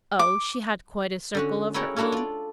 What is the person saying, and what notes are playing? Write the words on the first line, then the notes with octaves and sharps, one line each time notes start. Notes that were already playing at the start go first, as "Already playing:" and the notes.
Oh, she had quite a circle of her own.
D6
D3 C#4 F#4
E4 F#4 G#4 A#4 C#5 G5
D4 E4 F#4 A4 C#5
F4 D5